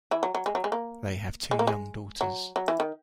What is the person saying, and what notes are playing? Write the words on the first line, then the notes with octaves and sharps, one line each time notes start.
They have two young daughters.
E3 E4
F#3
F#3
G#3
F#3
G#3
A#3
G#3
A#3
G#3
F#3
F#3
E3
D#3